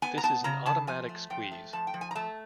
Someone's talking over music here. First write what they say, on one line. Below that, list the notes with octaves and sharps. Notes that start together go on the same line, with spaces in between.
This is an automatic squeeze.
B3 G#5
A#5
B3 A5
C#3 A#5
C#3 A5
F3 G#5
A3
F3 G5
A3
F3 A5
G5
F3
G#5
A#5
A3 A5